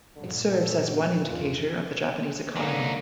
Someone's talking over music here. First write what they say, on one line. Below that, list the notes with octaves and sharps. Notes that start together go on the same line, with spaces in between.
It serves as one indicator of the Japanese economy.
G2 A#2 D3
A4
F#4
E2 C#3 F4
G#2 D3 F#3 A#3 D#4